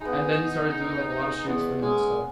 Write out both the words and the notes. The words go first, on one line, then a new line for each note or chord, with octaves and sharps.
and then he started doing, like, a lot of shoots for him and stuff,
G#3 B3 D#4
E2 B3
G#3 C#4